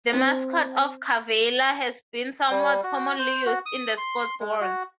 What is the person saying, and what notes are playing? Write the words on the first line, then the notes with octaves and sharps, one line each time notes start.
The mascot of Cavalier has been somewhat commonly used in the sports world.
C4
G3
F#4
C5
F#4
D#6
C6
G#3
F#4